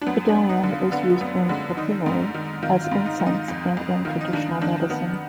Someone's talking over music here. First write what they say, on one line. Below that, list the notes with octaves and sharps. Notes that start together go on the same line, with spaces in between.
Bdellium is used in perfumery, as incense and in traditional medicine.
D4
F#2 B3
D4
F#2
D#4
D3
F4
D3 B3
F#2 B3
D3 G#3
D#3 D#4
G#2
D#3
D#3 F4
F4
G#2
D#4
D#3
D#4
F2
F2
D#3 F4
D#4
D#3 D4
D#3 D4
D#3 B3